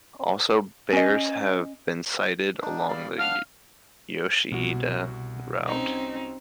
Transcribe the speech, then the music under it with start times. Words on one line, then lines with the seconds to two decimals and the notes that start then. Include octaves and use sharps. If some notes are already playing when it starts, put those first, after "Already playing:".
Also, bears have been sighted along the Yoshida route.
0.92 C#4 D#5
2.61 D4 D#4
2.88 G3 D5 F5
3.19 B3 D4 F5 F6
4.52 C2 B2 F#4
5.67 C4 C#4 D#4